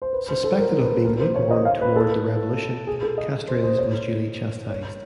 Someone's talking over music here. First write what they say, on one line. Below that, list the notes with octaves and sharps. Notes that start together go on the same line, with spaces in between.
Suspected of being lukewarm toward the revolution, Castres was duly chastised.
C5
B4
C5
A4
A#4
B4
A#4
C5
C#5
D#5
F5
B4
A4
G#4
A4
D#5
C5
C5
C#5
C#5